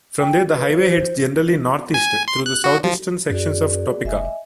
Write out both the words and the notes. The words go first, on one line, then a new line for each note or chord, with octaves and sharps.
From there, the highway heads generally northeast through the southeastern sections of Topeka.
G5
B4
C5
G#5
C6
F#6
F#4
F3
F#2 F#4 G#4 D5
F1 D#5 E5 G#5